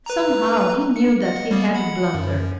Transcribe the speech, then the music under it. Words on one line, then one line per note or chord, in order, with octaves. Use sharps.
Somehow he knew that he had blundered.
B4 A#5
C#7
D#5 F#5
G3 A#3 B3
F#5 B5
F#2